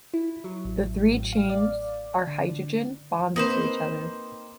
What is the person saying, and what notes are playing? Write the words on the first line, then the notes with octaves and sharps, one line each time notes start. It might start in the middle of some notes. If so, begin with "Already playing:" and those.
The three chains are hydrogen bonded to each other.
E4
F#3
A1
A2
F5
D5
D3
A#3 C4 D#4 B4 C5